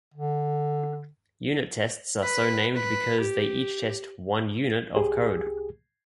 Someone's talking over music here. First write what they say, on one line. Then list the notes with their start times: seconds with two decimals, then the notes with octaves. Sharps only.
Unit tests are so named because they each test "one unit" of code.
0.14 D3
2.23 B4
2.76 B4
3.21 G4
4.96 C2 G4 G#4